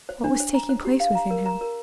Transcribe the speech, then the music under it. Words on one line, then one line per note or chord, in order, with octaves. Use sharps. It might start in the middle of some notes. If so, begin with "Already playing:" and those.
What was taking place within him?
C5
D4
C5
A#5
C5
G4
F5
A#5
A#4
A#5
A#4